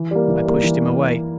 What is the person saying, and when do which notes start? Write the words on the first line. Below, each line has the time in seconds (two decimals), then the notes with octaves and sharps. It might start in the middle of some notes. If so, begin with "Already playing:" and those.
I pushed him away.
Already playing: E3
0.11 G3 A#3
0.28 E3
0.46 G3 A#3
0.63 E3